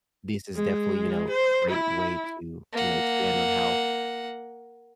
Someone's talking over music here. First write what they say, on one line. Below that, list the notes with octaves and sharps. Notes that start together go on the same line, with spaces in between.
this is definitely, you know, a great way to, you know, expand on how
G#3
C5
E4
A#3 F#5